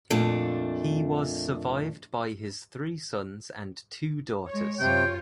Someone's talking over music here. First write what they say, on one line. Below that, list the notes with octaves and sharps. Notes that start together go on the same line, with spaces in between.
He was survived by his three sons and two daughters.
F2 A#2 A3 D4
G#3 C#5
F#2 C3 F4 C#5 G5